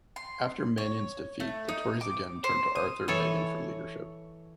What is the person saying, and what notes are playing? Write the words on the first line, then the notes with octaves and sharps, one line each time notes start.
After Manion's defeat, the Tories again turned to Arthur Meighen for leadership.
C6
C#5
A3
D#4
D6
C5
D#6
E3 A4 C#5